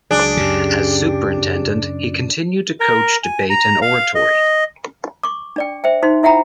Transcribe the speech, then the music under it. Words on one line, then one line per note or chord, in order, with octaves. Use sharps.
As superintendent, he continued to coach debate and oratory.
C#2 F#3 D4 G#4
F#2 C#3 G4
A#4
G#5
A#5
F5
D#5
C#6 D6
D4 D5 G5
C5 E5 G5
D#4 F#4 C5 C6
E4 E5 F#5 G5 A#5 B5